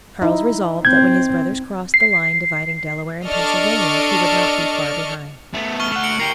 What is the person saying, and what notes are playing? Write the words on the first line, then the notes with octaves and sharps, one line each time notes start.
Charles resolved that when his brothers crossed the line dividing Delaware and Pennsylvania, he would not be far behind.
D#4 E4
C4 G6 G#6
C7
D4 A4 D5 D#5 C#6 F6
A3 B3
C#6 F6 G7
A3 F#5
C#7 D7 F#7
G4 A#4 C7